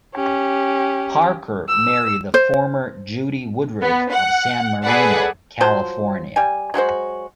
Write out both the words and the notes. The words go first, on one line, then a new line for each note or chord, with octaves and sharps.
Parker married the former Judy Woodruff of San Marino, California.
C#4 G4
E6
C5
B3
F#5
G#4 A4 B4 D5 F#5
F3 F#3 C5
G3 G#5
F#3 G#3 F#4 C5